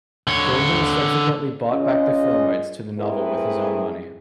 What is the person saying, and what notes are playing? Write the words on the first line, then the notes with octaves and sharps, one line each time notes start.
Goldman subsequently bought back the film rights to the novel with his own money.
D3 C#5
C#4 F4 G#4 D#5
A3 C4 E4 G#4 A#4 B4